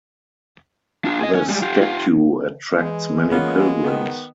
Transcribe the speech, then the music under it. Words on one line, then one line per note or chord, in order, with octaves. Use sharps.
The statue attracts many pilgrims.
D4 F4
G#4 D#5
C#4
G3 G#3
F4 G4
F4 G4
E3 G#3
A#3 B3 C#4 F4
D#3 B3